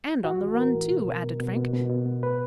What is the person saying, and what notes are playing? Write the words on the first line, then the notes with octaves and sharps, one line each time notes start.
"And on the run, too!" added Frank.
A2 F#4
E3
E3 A#4
A2
B2
B2
B2
B2
B2
B2
B2
B2
A2 B4